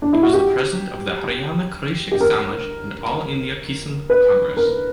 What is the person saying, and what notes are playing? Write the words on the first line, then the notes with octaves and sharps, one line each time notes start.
He was the president of the Haryana Krishak Samaj and All India Kisan Congress.
D4
E4
F#4
G4
G4
A#4
B4
A#4